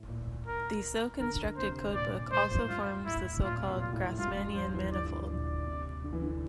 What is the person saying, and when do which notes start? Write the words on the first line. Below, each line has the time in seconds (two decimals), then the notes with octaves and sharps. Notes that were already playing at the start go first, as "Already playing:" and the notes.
The so-constructed codebook also forms the so-called Grassmannian manifold.
Already playing: A2
0.08 A#2
0.46 A#4
1.20 D3 A#4
1.57 C3 C5
1.94 A#2 D5
2.13 A#2
2.32 G2 C5
2.51 A2
2.69 G2 F4
3.06 A2 E4
3.44 A#2 F4
3.58 C3
3.69 A#2
3.81 F4
3.93 A2
4.18 G2 F4
4.37 G2
4.56 F3 C5
4.74 E3
4.92 D3 D5
5.30 A#2 D5
5.67 C3
6.04 D3
6.13 E3
6.22 D3